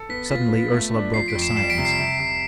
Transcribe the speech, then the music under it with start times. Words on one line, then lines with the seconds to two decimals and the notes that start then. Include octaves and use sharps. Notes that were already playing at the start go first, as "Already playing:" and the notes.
Suddenly Ursela broke the silence.
Already playing: A4
0.09 B3 B6
0.26 A6
0.30 F4 B6
0.52 B3
0.72 A3
0.94 D4
1.14 F3 C7
1.28 B6 D7
1.35 F2
1.42 C7 E7
1.56 G3 C7 E7
1.70 B6 D7
1.78 C3
1.85 C7
1.99 C3
2.19 C3